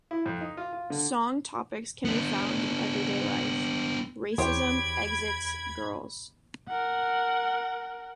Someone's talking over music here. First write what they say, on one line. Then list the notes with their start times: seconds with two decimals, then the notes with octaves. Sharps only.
Song topics can be found in everyday life: racism, exits, girls.
0.11 E4
0.26 F2
0.41 D#4
0.57 F4
0.73 F4
0.90 D3
2.05 B3 D4
4.38 E2 G4 C5 C#5 B5 G#6 D7
6.68 A#4 F#5